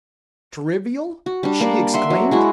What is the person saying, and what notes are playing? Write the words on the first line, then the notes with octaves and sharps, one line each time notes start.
"Trivial!" she exclaimed.
F#4
G3 D4
A#3 D4 D5
E5 F#5 C6
F#3
G#3 E4 F#4